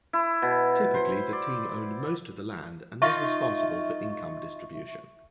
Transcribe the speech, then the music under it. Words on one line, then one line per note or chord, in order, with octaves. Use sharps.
Typically the team owned most of the land and was responsible for income distribution.
E4
B2
C5
D5
D#4 F4 E5 C#6